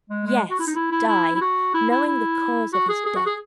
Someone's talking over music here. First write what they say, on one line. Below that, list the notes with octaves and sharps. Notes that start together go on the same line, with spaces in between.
Yes, die, knowing the cause of his death.
G#3
G#3
F#4
E4
D#4
E4
E4
E4
E4
F#4
E4
E4
E4
F#4
G#4
G#4
F#4
G#4